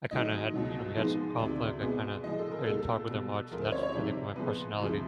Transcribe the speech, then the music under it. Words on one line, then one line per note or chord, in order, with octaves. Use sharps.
I kinda had you know, we had some conflict, I kinda I didn't talk with her much and that's I think my personality
G#2 D#3 F#3 A3 D#5
C#2 B2 F#3
G#2 F3 G#3 B3
D2 C3 D#3 G#3 D5
B2 G#3 B3
A2 F3 G#3 D#5
A4
A#4
C#2 B2 G3 A#3 A4
B2 G3 B3
D2 C#3 F3 A#4
C5
C#5
C#5
F2 C3 D#3 G3 D5
A#2 F3 G#3 B3 B4
D2 C3 F3 G#3